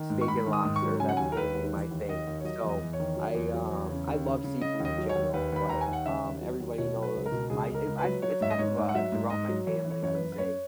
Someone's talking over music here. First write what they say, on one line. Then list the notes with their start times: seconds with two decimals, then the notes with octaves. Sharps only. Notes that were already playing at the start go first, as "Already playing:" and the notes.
steak and lobster- that's gonna be my thing. So, I, um I love seafood in general, but, um, everybody knows my if I it's kind of, uh, throughout my family, I would say,
Already playing: D#3
0.10 G#2
0.21 C#6
0.28 G#2 B5
0.46 D#3
0.53 D#6
0.65 G#2
0.76 C#6
0.82 F#3
1.00 C#3 G#5
1.09 F#5
1.17 D#2 G#5
1.32 A#4
1.37 D#2 B4
1.55 D#2
1.73 E3
1.91 D#2
2.08 D#2 D#5
2.27 D#2
2.40 C#5
2.44 F#3 D#5
2.64 E2
2.69 D#5
2.81 E2
2.93 C#5
3.00 D#3
3.16 F#3
3.35 E2
3.54 F#3
3.71 E2
3.89 C#3
4.07 D#2
4.26 C#3
4.44 C#3
4.61 C#3 D#5
4.80 D#2
4.85 D#5
4.98 F#3
5.09 C#5
5.15 D#2
5.33 D#2 B4
5.52 D#2 B5
5.69 D#2 A#5
5.81 G#5
5.87 D#2
5.93 F#5
6.06 C#3 E5
6.24 D#2
6.42 F#3
6.60 D#2
6.78 B2 C#5
6.96 F#3
7.03 B4
7.15 C#2
7.26 A#4
7.32 B2
7.50 C#2 G#4
7.69 C#2
7.74 A#4
7.87 C#2
7.98 B4
8.04 F#3
8.22 F#3 C#5
8.41 G#2 E5
8.51 D#5
8.58 G#2 C#5
8.77 G#2
8.89 F#5
8.95 F#3 E5
9.12 G#2
9.30 G#2 D#5
9.49 F#3
9.67 E3 C#5
9.84 E3
9.90 C#5
10.03 F#2 C#5
10.15 B4
10.21 F#2
10.32 B4
10.38 F#2 C#5